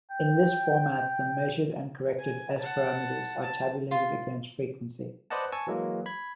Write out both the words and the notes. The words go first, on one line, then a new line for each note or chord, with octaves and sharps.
In list format the measured and corrected S-parameters are tabulated against frequency.
G5
G#5
F#5 A5
A5
F4
B4 C5 D5 D#5 F#5 A5
G#5 A5 C#6 E6
E3 F#3 G#3 A#3
B5 G#6